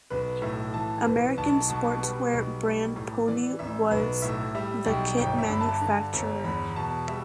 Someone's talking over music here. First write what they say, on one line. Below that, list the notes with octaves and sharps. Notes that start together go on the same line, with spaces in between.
American sportswear brand Pony was the kit manufacturer.
B1 B4
A2 E5
E3 A5
B1 B4
B1 A5
B2 A5
G3 B4
B1
G3
A2
E3 D5
A1 E5
B1 B4
A2 E5
G3 E5
B1 G5
G1 G5
E5
G2 B5
A5
D3
G1
E2 B5
B2 A5
G3 E5